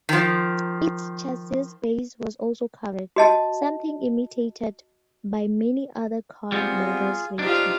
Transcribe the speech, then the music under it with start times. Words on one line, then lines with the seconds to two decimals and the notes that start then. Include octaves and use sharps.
Its chassis base was also covered, something imitated by many other car models later.
0.09 D#3 F3
3.16 F#4 D#5 A5
6.52 G3 B3 C4 F4 G#4
7.39 D4 D#4 F4 G4 C5